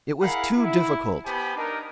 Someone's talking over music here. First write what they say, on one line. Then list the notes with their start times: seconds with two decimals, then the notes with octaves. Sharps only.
It was too difficult!
0.21 E4 G#4 A#4 F5 F#5 B5
0.57 E4
1.25 B3 G4 C5 G#5 A5 B5
1.56 D4 D#4 A#4